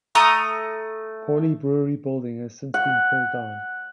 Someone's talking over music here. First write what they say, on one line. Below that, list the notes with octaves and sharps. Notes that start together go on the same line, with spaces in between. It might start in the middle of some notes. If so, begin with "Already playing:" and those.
Pauli brewery building has since been pulled down.
A3 A#5 D#6
F#5